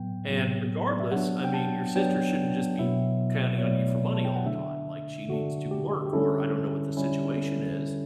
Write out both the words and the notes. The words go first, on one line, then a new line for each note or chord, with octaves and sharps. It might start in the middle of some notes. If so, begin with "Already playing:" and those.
And regardless, I mean, your sister shouldn't just be counting on you for money all the time, like, she needs to work, or I don't know what the situation is,
Already playing: A2 F#3 B3 G5
A2 F#3 B3
D5
E5
F#3 B3 D4 F#5
G5
A5
F#3 B3 D4 G5
B2 F#3 B3 E4 E5
C#5
B2 F#3 B3 E4 D5
A5
G5
F#5
D3 A3 D4 E5
D3 A3 D4 F#4
G4
G4
D3 G3 C#4 E4 A4
D3 G3 C#4 E4